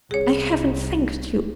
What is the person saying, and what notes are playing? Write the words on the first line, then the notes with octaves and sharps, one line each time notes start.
"I haven't thanked you."
C2 G#4 C#5